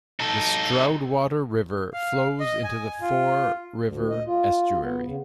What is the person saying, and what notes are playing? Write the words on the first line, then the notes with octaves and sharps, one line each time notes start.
The Stroudwater River flows into the Fore River estuary.
D#4 A4
F5
D#5
G#5
F4
D2
D#5
F4
B3
C#3